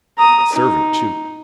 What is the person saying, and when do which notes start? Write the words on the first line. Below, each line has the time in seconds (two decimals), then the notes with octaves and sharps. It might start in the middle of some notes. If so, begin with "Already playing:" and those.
A servant too.
0.18 A#5 D#6
0.53 D#4